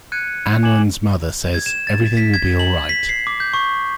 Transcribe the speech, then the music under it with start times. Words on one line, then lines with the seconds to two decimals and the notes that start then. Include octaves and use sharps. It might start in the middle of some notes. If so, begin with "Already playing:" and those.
Anwen's mother says "everything will be alright".
0.12 F#6 G#6 C#7 D#7
0.63 G#5 D6 G#6 E7 F#7
1.54 G#6
1.66 E7
1.87 A6
2.17 B6
2.34 G#6
2.59 F#7
2.89 B6
3.09 C7
3.27 D6
3.40 G6
3.54 C#6